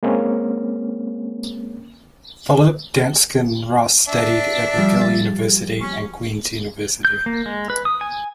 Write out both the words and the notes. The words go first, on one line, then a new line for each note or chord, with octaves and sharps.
Philip Dansken Ross studied at McGill University and Queen's University.
G#3 A#3 C4 C#4
D4 E5
F3 G3
A6
C#4 C#6
G6
A#3
G#3
B4
D#6
G#5